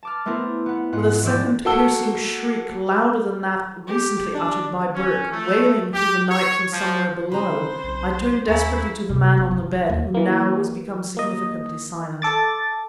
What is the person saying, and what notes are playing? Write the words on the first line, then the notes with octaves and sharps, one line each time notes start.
With a second piercing shriek, louder than that recently uttered by Burke, wailing through the night from somewhere below, I turned desperately to the man on the bed, who now was become significantly silent.
A5 D6 F6
A3 B3 C4 E4 A#4
B3 F#5
G#2 F4 F#5 C7
E1 F3 E4 D5 E6 G6
A#3 F#4 A4 F#5 E6 G7
G4
D4
C#4
A3
G4
C#5
F3
C#3 C4 B4 C5 A#5 D#6
B1
D#2 C4 E4 F5 G#5 A#5 C#6
C3
G1
C#3
F#3
D#2
E3 A#3
A#3 D#5
A4 D6 A6